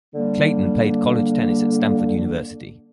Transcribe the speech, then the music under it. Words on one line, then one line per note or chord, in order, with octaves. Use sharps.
Clayton played college tennis at Stanford University.
D3 G3 A#3